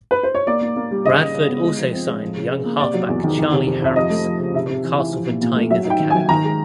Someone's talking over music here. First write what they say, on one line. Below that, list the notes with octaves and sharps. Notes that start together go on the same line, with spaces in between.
Bradford also signed young halfback Charlie Harris from Castleford Tigers academy.
B4
C5
C#5
A#3 D5
A#3
A#3
G3
C#3 D#5
C#3
C#3
B3
G#3
F3
C4
G#3
F3
C#3
C#3
A#3
C3 D5
F#3
E2
D#3
D#3
C3
F2
F2 E5
F3 D#5
A3
F3
C#3
C3 E5
C3
E3
E3
F3
A#2
A#2
A3
F#3 E5
D#4
G5
D#3
F#3 G#5
D#3 A#5
G#3